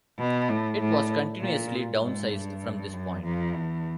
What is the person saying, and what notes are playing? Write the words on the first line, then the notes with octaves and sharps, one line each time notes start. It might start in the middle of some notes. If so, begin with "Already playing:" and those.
It was continuously downsized from this point.
B2
A2
A2
A#2
G#2
G2
F#2
F2
E2